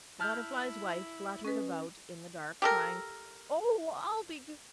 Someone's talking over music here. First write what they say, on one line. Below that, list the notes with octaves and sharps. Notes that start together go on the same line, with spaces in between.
The Butterfly's Wife fluttered about in the dark, crying, 'Oh, I'll be good!
E4 A5 F6 G6
G#3 C#4 B4
G4 A4 A#4